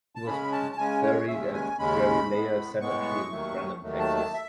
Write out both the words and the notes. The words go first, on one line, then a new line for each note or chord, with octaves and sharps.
He was buried at Prairie Lea Cemetery in Brenham, Texas.
A5
C#3 G#3 C#4 B5
A5
A5
C#3 G#3 C#4 G#5
C#5
D#2 C#3 G#3 C#4 E5
G#5
D#2 C#3 G#3 C#4 B5
A2 G#3 B3
A2 G#3 B3 C#6
D#2 D#3 F#3 A3
D#2 D#3 F#3 A3
A5
A5
E5